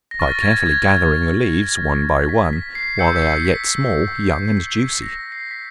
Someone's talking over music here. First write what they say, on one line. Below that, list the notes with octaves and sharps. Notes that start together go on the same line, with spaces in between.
By carefully gathering the leaves, one by one, while they are yet small, young, and juicy.
A#6
C#6 F6 A6
A#6
A6
G#6
G#6
G#6
A6
B6
B6
C7
C#6 E6 G6 C#7
B6
C7
B6
A#6
B6
C7
B6